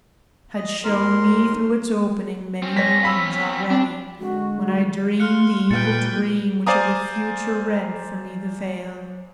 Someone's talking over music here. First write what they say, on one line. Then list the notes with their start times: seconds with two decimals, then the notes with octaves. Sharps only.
Had shown me through its opening many moons Already, when I dreamed the evil dream Which of the future rent for me the veil.
0.56 D#5
0.84 D#2 A#4 C6
2.62 C4 C#4
2.77 C#5 A#6 B6
3.03 F5 B5 E6 B6
3.70 C4 D4
4.19 D3 G#3 F#4
5.20 F5 C6 F6 F#6 C#7
5.71 A#2 B4 G5 A6 C#7
6.67 C5 D5 F5 G#5 A#5 D#6